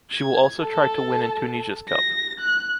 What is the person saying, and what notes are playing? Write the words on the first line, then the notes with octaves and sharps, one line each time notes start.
She will also try to win in Tunisia’s cup.
G#6
A4 A5
A#6
F#6